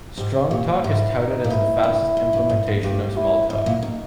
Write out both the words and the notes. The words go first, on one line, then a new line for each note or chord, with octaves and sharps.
Strongtalk is touted as the fastest implementation of Smalltalk.
G#2 G4
A#2 G4
G#2 E4
D#4
A#2
G#2 E4
G2
G#2
G2
G#2
G#2
G2 G4
E4
G#2 E4
A#2
B2 D#4